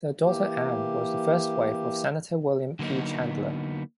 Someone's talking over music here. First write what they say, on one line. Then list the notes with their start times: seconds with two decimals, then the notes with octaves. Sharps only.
Their daughter Ann was the first wife of Senator William E. Chandler.
0.24 E3 A#3 G4
2.79 D3 F#3 A#3 B3 D#4